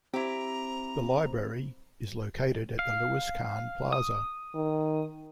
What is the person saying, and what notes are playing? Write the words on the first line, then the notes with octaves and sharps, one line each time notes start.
The library is located at the Louis Kahn Plaza.
C4 E4 G4 A#5
F5
D#6
D#3